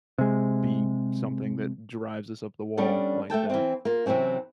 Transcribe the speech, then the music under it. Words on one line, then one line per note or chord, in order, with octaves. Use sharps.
be something that drives us up the wall like that.
C3 G#3
G3 B3 C#4 D4 A4
A3 A4 G5 A5
E3 C4
A#3 F4
C3 E3 F#3 C4 C#4